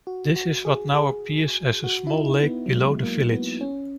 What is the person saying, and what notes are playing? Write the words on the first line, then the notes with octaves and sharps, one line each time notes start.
This is what now appears as a small lake below the village.
F#4
F#4
G#4
G#4
F#4
E4
D#4
B3
F#3
G#3
A#3
B3
C#4